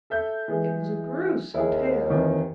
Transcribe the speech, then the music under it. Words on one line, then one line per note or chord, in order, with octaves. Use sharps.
It was a gruesome tale!
A4 E5 G6
E3 G#3
D#2 E4 G#4
F2 D#3 E3